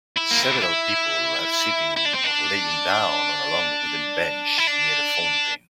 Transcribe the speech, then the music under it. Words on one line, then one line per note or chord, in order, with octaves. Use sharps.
Several people are sitting or laying down on a long wooden bench near a fountain.
E4
A#3
C4
D4
E4
E4
D4
C4
D4
E4
D4